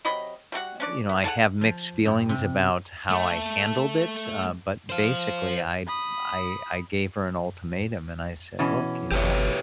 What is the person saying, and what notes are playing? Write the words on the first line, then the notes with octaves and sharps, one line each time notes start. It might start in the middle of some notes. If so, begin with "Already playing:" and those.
you know, I have mixed feelings about how I handled it, uh, but, basically, I I I gave her an ultimatum, and I said, "Look," you know,
C3 F#3 D#5 B5
G3 A3 F#4 F#5
C#4 D4 D5
B3
G#4 A4 C#5 F#5
F3
G2
C3
A3
C5 F5
B5 D#6
B2 E3 C#4
G1 G4 B4 C#5